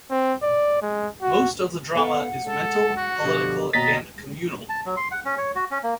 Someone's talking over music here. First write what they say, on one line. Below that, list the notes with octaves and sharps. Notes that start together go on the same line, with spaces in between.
Most of the drama is mental, political, and communal.
C4
D5
G#3
F#4
B3 A4 F5 F#5
G#3 A4
F#4
B2 D3 F3 G4
D#2 B2 D#5 A#5 A6 B6
A5
F#3
C6
F#5
C#4
C#5
F#4
C#4
A#3